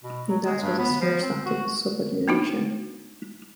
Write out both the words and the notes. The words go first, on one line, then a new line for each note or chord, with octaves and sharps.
That was a serious act of insubordination.
B2
F#3
G#3
G2
B3
F3
C4
F#4
A#3 B3 D4 D#4 F#4